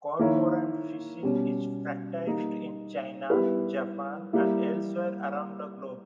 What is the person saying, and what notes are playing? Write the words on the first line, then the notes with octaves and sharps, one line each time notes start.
Cormorant fishing is practised in China, Japan, and elsewhere around the globe.
D#3 A#3 E4 A#4 C#5
B2 G3 C#4
G3 A#3 D#4
G3 B3 E4 G4 B4
G3 A#3 E4